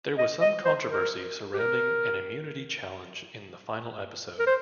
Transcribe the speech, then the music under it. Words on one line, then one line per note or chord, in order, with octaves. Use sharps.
There was some controversy surrounding an immunity challenge in the final episode.
D#5
D#5
C5
A#4
G4
A#4
A#4
C5